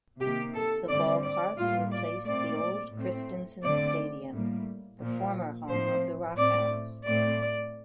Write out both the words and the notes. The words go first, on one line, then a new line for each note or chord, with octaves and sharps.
The ballpark replaced the old Christensen Stadium, the former home of the RockHounds.
C3 D#3 A#3 G4
A4
D3 G3 C4 D5
D5
A2 G3 A#3 F4
D5
A#2 A3 C4 D5
A2 A3 C4
D3 A3 C4 D5
A2 G3 A#3
A#2 F3 A#3
A2 F3 C4 C5
A2 A3 C4 D5
A2 A3 C4 D5